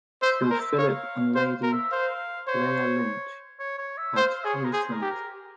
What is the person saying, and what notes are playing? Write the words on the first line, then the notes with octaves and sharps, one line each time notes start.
Sir Phillip and Lady Leah Lynch had three sons.
C5 E5
C5
A#4
E5
C#5 F5
C5 F5
A#4
E5
C5 F5
C5 C#5
C#5
C#5
E5
C5 F5
G#4 C#5
A#4
G#4 C5
A#4
G4
A#4